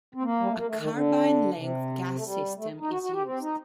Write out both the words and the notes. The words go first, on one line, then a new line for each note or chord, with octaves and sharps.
A carbine-length gas system is used.
C4
A#3
G3
A3
A#3
A3
D#3
D3
C3
A3
G3
A3
D#4
F#4
F#4
G4
C4
D#4